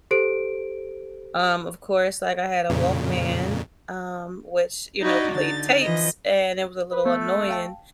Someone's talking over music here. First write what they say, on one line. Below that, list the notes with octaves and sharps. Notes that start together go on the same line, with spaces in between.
um, of course, like, I had a Walkman, um, which, you know, played tapes, and it was a little annoying
G4 A4 C5 D7
F2 A#2 C#3
D#4 E4 F#4 D5 D#5
D3 D#4 A6
E3 F3 D#5
B4
A3 B3
F5 G5 A5